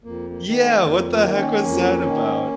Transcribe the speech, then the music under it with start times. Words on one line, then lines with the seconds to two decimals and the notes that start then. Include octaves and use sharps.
Yeah! What the heck was that about?
0.04 F2 A#3
0.30 A#3
0.44 D#3 A#3
0.57 A3 C4
0.84 F2 A#3
1.11 A#3
1.24 D#3
1.32 C4
1.38 A#3 C#4
1.65 F2
2.06 D#3